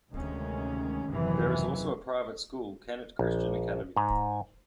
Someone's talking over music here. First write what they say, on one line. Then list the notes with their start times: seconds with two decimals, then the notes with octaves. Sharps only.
There is also a private school, Kennett Christian Academy.
0.11 D2 C3 D#3 G#3 C#4
1.08 F#1 D#2 C3 D#3 E3 F#3
3.19 A#1
3.97 G#2